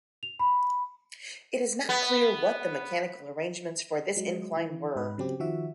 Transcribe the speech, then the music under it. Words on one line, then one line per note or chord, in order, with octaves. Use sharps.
It is not clear what the mechanical arrangements for this incline were.
F7
B5
B3
F#3 G#3
E3
G#2 B4
C#3 F#3 C4 G4
D#3 F3 F#4 E5